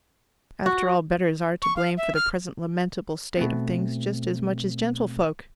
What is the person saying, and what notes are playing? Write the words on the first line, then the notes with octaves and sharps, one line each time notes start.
After all, bedders are to blame for the present lamentable state of things, just as much as gentlefolk.
F#4
C#6
F5
E5
F6
B2 A3 C4